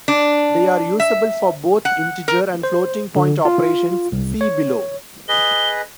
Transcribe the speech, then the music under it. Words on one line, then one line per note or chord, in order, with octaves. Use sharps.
They are usable for both integer and floating point operations, see below.
D4
E5
F#5
A#4
C5
D3
F4
C2
C#5
G#4 B4 D#5 G7